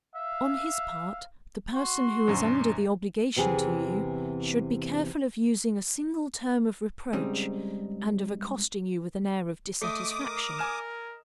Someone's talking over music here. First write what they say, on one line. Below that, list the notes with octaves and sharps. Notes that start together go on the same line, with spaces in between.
On his part, the person who is under the obligation to you, should be careful of using a single term of reproach and of accosting you with an air of dissatisfaction.
E5 F5
F#4 C6
A#1 F#2 D3
E2 C3 E3 G#4
G#2 C#3 G3 C4 D#4
A3 D#5 D6 D#6
A#4
G#5 F6 E7